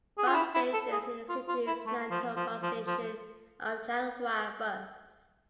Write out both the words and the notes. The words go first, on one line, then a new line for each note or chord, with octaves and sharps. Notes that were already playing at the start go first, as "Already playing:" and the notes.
Bus stations in the city is Nantou Bus Station of Changhua Bus.
G#4
F4
E4
E4
A4
G#4
F4
F4
E4
A3
F3
F3
F3
F3